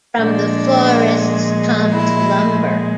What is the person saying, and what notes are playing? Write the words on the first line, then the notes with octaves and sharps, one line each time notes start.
From the forests comes lumber.
A#2 F3 G#3 D4
E4